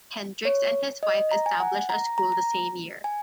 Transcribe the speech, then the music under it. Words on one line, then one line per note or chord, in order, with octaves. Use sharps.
Hendrix and his wife established a school the same year.
C#5
D#5
A#5
G#5
F#5
A#5
A#5
A#5
G#5